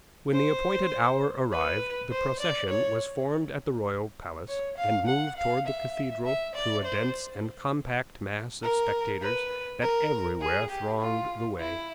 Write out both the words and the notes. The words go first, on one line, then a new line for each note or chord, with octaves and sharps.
When the appointed hour arrived the procession was formed at the royal palace, and moved toward the Cathedral through a dense and compact mass of spectators that every where thronged the way.
C5
B4
C5
D5
C#5
C#5
F5
F#5
F5
E5
E5
D5
C5
A#4
B4
A#4
G#4
G4
F4
E4